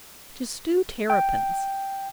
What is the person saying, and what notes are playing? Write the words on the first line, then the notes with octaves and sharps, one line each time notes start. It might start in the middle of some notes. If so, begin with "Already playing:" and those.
To Stew Terrapins.
G5